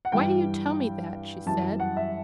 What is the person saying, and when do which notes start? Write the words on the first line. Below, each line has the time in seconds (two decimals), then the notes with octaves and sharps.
"Why do you tell me that?" she said.
0.05 F#5
0.12 G2 E3 G3 G5
1.46 F#2 E3 G3 A5
1.80 F#5
1.97 E5